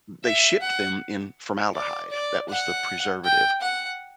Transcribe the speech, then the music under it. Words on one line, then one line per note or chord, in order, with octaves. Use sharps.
n they shipped them in formaldehyde, that was the preservative
E5
F#5
D5
D5
F#5
G5
F#5